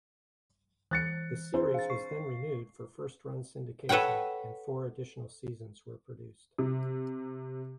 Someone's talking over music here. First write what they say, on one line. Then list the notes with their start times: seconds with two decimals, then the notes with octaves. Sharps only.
The series was then renewed for first-run syndication, and four additional seasons were produced.
0.91 E3 F#6 A6 C#7
1.54 C4 D4 G#4 C5
1.74 F5 A6
1.90 C#6 C7
3.89 A4 B4 C#5 F#5 G5
6.58 C3